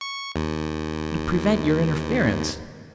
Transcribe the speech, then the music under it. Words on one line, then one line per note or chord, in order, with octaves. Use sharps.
"To prevent your interference."
C#6
D#2